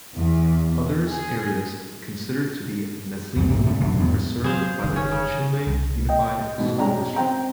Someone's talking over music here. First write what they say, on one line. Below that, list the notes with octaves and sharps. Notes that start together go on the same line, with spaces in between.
Others areas considered to be "Nazlini" are served by the Chinle Unified School District.
E2
G#4
C2 F2 F3 G3
B1 G#2 C3 A#3
E1 D3 A3 C#4
F2 A#2 F#3 D4
E2 G#2 G3 B3
F#3 G#4 C5 F5
F#1 D3 D#3
C#4
C#3
C2
D#5 G5
G#2 B2
B2 G#3 C#4 D4 G5 A#5
C4 G5 A#5